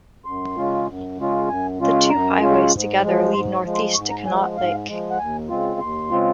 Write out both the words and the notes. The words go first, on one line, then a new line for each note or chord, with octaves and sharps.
The two highways together lead northeast to Conneaut Lake.
F#2 C6
C#3 G#3 C#4 F4
F#2
C#3 G#3 C#4 F4
F#2 G#5
C#3 G#3 C#4 F4
F#2 A#5
C#3 G#3 C#4 F4
G#2
F3 G#3
G#2 C6
C#6
F3 G#3
C6
G#2 C#6
A#5
F3 G#3 G#5
F#5
G#2 F5
F3 G#3
F#5
D#2 G#5
C#3 G#3 C4 F4
D#2 C6
C#3 G#3 C4 F4